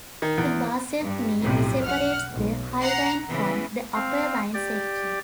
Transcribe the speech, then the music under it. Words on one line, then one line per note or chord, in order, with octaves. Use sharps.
The Basel knee separates the High Rhine from the Upper Rhine section.
D#3
E2
G2
B1 F2 A2 C3
F#5 F6
B1
F#5 A#5 C7
C#3 E3 B3
C4 F5
G4 D5